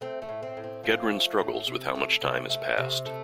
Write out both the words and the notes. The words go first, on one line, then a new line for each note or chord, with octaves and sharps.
Gedrin struggles with how much time has passed.
A3 C4
A3
A2
C4
A2
C4
F3 C4
A3
A2
C3
A3
C3
A3
C3
A3